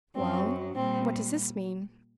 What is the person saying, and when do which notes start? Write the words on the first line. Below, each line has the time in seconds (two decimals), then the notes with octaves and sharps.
'Well? what does this mean?'
0.16 F#2 F#3 C4
0.75 A#2 G3 C4